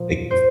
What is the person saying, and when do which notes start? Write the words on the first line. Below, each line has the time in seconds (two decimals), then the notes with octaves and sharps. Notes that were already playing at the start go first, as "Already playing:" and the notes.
Like v
Already playing: A#2 F3
0.31 C5